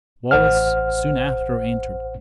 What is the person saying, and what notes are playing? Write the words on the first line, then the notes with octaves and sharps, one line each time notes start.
Wallace soon after entered.
A1 C5 F#5 F6